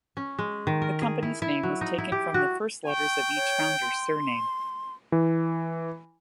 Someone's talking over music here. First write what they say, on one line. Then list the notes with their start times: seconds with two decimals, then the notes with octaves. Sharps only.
The company's name was taken from the first letters of each founder's surname.
0.17 C#4
0.38 G#3
0.67 D#3
0.82 A#4
1.02 G#4
1.23 E4
1.42 E4
1.63 F#3
1.81 D#4
1.98 E4
2.12 G4
2.34 F#4
2.87 G5 C#6
3.36 C#5
3.82 C6
5.12 E3